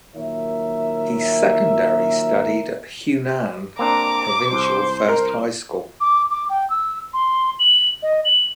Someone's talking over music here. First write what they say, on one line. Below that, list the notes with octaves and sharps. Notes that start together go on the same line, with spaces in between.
He secondary studied at Hunan Provincial First High School.
A#2 D#3 F#3 A#4 C#5 E5
A#3 C4 D4 A#5 D6
C2 C5
A#4
D6
D6
G5
E6
C6
F#7
D#5
F#7